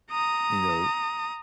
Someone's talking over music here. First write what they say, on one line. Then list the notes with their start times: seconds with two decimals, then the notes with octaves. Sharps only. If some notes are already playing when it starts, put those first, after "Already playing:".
you know,
0.11 A#5 D#6